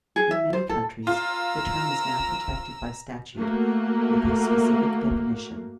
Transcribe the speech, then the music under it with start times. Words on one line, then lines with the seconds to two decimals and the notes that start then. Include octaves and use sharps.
In many countries the term is now protected by statute, with a specific definition.
0.16 G#4
0.31 E5
0.53 C5
0.69 A4
1.07 F4 A#5 E6
3.35 A3 A#3 F#4